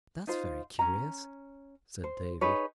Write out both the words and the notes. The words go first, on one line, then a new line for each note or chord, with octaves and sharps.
"That's very curious," said Davy.
D#4 F4 C5
C#4 A#5
C5
D#4 G#4 B4 C#5